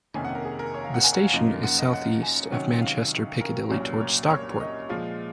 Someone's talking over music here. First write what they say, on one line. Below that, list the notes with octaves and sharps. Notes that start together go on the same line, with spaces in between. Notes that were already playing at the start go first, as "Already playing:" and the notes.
The station is south east of Manchester Piccadilly towards Stockport.
F2 C3 D#3 A#3 C#4 G#5
F#5
A#4
G#4
A#4
C#5
F5
F#5
G#5
F#5
F5
F#2 F3 A#3 D#4
F#5
D#5
F#5
G#5
C3 D#3 F#3 C#4 F#5
F5
A#4
C2 A#2 F#3 C#4
C#5
C#5
D#5
A#2 F3 G#3 F5